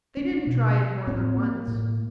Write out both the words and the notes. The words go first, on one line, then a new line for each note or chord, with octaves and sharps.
They didn't try it more than once.
C#4
D4
B2
A2 C4
A#3
A2